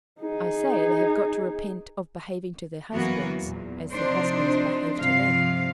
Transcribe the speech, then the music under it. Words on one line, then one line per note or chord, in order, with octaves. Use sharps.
"I say, they have got to repent of behaving to their husbands as their husbands behave to them."
D#4 G#4
F#2 E3 F#3 A#3 B3 F#4
E2 A#2
C3 F3 D4 D#4 C5
G2 C3 F3 F5